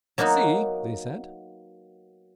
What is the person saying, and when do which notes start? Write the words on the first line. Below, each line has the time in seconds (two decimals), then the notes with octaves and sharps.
"See!" they said.
0.18 F#3 A#3 B3 D#4 F#4